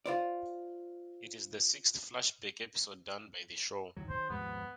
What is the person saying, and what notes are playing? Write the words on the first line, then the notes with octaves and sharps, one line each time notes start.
It is the sixth flashback episode done by the show.
F4 C5 D5
D#3 E3 F#3
C5
D#2 G#2 F3 B3